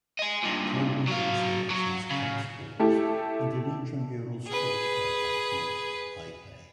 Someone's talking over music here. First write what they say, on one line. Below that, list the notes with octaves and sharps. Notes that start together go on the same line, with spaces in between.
Colby also offers club sports and an intramural sports program called I-Play.
D#5 G#5
G2 A#2
F#3 F5
F#3
C#3
A3 E4 G4 A4
G#4 B4